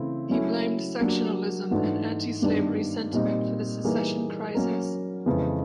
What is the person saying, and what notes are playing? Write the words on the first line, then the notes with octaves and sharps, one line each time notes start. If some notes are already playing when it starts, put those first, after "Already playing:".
He blamed sectionalism and anti-slavery sentiment for the secession crisis.
Already playing: C#3 E3 A3 C4 E4
F#3 A3 C#4 E4
F#3 A#3 D4 G4
G#2 E3 A3 D4 F#4
G2 D#3 G3 B3 D4
A#2 G3 C4 D#4
E3 G3 A#3 D#4 G#4
F#3 A#3 C#4 F#4 A#4
F2 C#3 E3 G#3